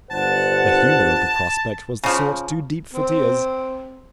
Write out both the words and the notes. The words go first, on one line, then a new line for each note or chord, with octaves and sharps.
The humor of the prospect was the sort too deep for tears.
G1 C5 F#5 A5
C#3 F3
C4